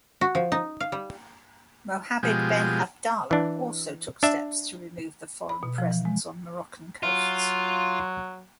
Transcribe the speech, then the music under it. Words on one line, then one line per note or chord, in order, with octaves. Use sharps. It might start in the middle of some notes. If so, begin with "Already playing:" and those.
Mohammed ben Abdallah also took steps to remove the foreign presence on Moroccan coasts.
F#4
F3
D#4
F5
G3
B2 F3 G#3 G4
E3 D4
D4 E5
B5
B2
F3
E3
G#3
F#3 F4